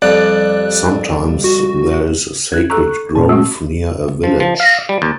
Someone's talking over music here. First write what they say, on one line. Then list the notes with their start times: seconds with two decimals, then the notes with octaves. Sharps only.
Sometimes there is a sacred grove near a village.
0.02 F2 G3 D5 F#6
1.44 F#4
2.52 E4 F#6 G#6
2.70 A4 A#5 C#6 F#6
3.15 G2 A#2 C#4 G#4 A5
3.29 G#3 A3 F#4
4.24 F3
4.40 F3
4.60 F5
4.89 G3
5.02 D#2